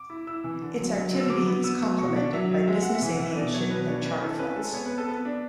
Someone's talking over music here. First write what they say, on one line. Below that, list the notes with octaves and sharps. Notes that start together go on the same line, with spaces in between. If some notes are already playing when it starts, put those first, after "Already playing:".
Its activity is complemented by business aviation and charter flights.
Already playing: D6
E4
E4 E6
E3
D3
F#3
F#3
D3
E6
F#3 D6
B3
B3 E6
F#3
B2 C#6
D4
F#3 E5
F#3
G#3 E5
G#3 F#5
E5
E3
F#5
E3 E5
B2 D5
F#3 C#5
B2 B4
D4 C#5
C#4 B4
E4 A4
C#4 B4
G#3 A4
B3 C#5
B3 B4
A4
B3 B4
D4